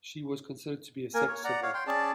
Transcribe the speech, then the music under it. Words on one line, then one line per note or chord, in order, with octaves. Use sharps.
She was considered to be a sex symbol.
A#3 A#4 G#5
C#5
D5 F#5 A#5
C#5 F5
G5 C6
C#4 G#4 D5 A5